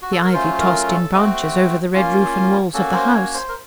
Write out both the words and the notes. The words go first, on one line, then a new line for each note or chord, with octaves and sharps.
The ivy tossed in branches over the red roof and walls of the house.
F#4
A4
A#4
F#3 A3 C#4 F4 C5
C5
A#4
A4
A3 C4 F#4
A#3 C#4 F4
A#3 C#4 F#4 A4
C5
C#5
C5
A#4